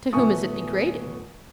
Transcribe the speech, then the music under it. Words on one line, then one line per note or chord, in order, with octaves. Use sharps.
"To whom is it degrading?"
D#1 A3 B3 G#5 C#6 D#6